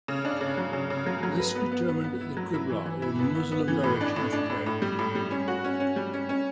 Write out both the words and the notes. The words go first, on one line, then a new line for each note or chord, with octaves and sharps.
This determined the Qibla, or Muslim direction of prayer.
C#3
D4
C#3
F#3
C#3
C#3
F#3
F#3
B4
B3
B3
B3
B3
E4
F#3
E4
E3
E3
E4
B3
B3
B3
E3
A2
D4
A2
D4
A2
A2
G3
A2
G3
C#4
F#4
C#4
C#4
G3
C#4
C#4